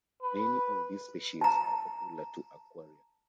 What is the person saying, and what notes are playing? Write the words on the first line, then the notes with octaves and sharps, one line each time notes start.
Many of the species are popular for aquaria.
B4
A5 A#5